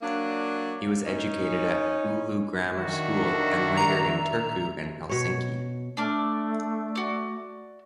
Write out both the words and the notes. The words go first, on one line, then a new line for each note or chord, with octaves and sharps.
He was educated at Oulu Grammar School and later in Turku and Helsinki.
F#3 A#3 D4
C#4 D#4
D#3 D4 F#4 E5
A#5
B2 C#5
A3 D4 D6 F6
F#4 D5